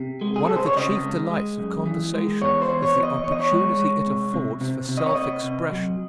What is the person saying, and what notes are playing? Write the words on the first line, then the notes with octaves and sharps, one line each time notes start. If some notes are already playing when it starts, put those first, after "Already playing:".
One of the chief delights of conversation is the opportunity it affords for self-expression.
Already playing: C3
G#3
G#4
C3 A4
C5
C#5
C#3 D#5
G#3
G#3
F#2
E3
G#3
E2 C#5
C5
E2
C#5
E2
D#5
E2 C#5
D#5
C#5
G#3
G#3
C3
C3
C3
C3
D#5
C#5
C3 D#5
C3
F#3